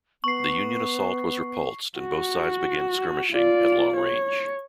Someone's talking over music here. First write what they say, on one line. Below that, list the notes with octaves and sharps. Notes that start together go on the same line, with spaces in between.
The Union assault was repulsed, and both sides began skirmishing at long range.
B3 C#6 C7
F#4
F4 D5
C#5